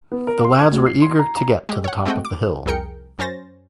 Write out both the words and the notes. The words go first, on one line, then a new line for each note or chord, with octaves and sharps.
The lads were eager to get to the top of the hill.
B3
A#4
C6
G#6
D2
C7
C6
A#5
A#5
G#3 G4
C#5 F#5
G#3 A3 C4 F#4 D#5 G5
D6
C2 F2 G#4 A#4 G5 C#7
F#2 C#4 C5 A6 A#6